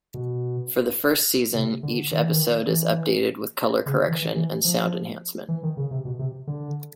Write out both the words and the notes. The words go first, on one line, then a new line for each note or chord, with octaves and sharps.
For the first season, each episode is updated with color correction and sound enhancement.
B2
C3
D3
D#3
E3
D#3
E3
C#3
D3
E3
E3
E3
F3
E3
D#3
C#3
C3
B2
C3
D3